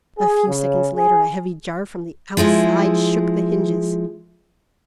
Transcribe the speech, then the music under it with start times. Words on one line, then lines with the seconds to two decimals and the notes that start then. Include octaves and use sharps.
A few seconds later a heavy jar from the outside shook the hinges.
0.18 G#4
0.48 C#3
0.95 G#4
2.37 F3 G#3 E4 G#4